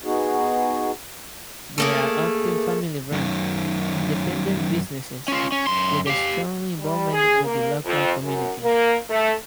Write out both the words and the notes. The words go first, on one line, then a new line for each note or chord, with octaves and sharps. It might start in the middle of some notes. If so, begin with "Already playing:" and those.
They are often family-run, independent businesses, with a strong involvement with the local community.
B3 D#4 F#4 G#4
A3 A#3 G#4
F#2 D#3
C#4 F4
C#4
F#2 C6
G4 F5
G3
G#4
A#3
F2
F#2
A#3
A3